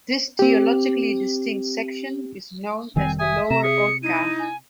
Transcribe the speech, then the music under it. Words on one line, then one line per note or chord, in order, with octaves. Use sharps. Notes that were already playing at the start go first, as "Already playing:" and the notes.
This geologically distinct section is known as the lower Oatka.
C4 G4
F1 D#3 G3 C4 G#5
E5 G#5 D#6
C3 A#5 E7
G#4 C#7
D#4 E4 D#7
G#5